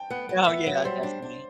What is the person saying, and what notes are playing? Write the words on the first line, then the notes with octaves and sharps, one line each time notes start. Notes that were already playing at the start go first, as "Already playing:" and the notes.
Oh, yeah. Definitely.
Already playing: G5 A5
B3 F#5
B3
B3 E5
F#3
G3 C5
D4
D4